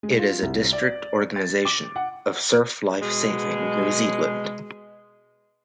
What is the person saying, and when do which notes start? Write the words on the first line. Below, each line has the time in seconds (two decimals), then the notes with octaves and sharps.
It is a district organization of Surf Life Saving New Zealand.
0.03 G#3
0.19 F4
0.42 C2
0.73 D5
1.36 A6
1.65 D6
1.96 F#5
3.01 B2 G#3